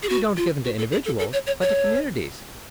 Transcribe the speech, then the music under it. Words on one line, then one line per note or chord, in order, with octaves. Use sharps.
"He don't give 'em to individuals, but to communities."
G#4
F#4
F4
F#4
A4
G#4
A4
A4
C#5
C#5
C#5